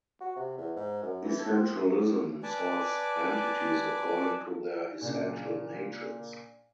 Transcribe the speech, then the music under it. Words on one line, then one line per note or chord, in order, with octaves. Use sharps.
Essentialism sorts entities according to their essential natures.
F#4
C3
E2
G#2
F#2
E3
A4
C4
B4 D5 G#5 A5 D6
A#2 C#3 D4